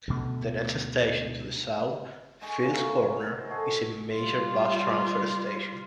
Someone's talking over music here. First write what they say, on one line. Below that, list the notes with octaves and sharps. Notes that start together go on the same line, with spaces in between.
The next station to the south, Fields Corner, is a major bus transfer station.
D2 B2 A3
G#3 G#4 C#6
A2 C#3 F#3
A#4
D#3 C#4
C5 D#5
A3 F#4 G#4 A4
G3 F4